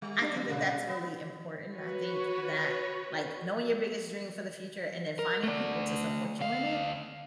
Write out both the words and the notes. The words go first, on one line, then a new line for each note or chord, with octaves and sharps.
I think that that's really important. I think that, like, knowing your biggest dream for the future and then finding people to support you in it
G3
G3 D4 D5
F#3
A#2 C#3
B3
F#4 B4 C#5
A#4
A3 D5
D2 F5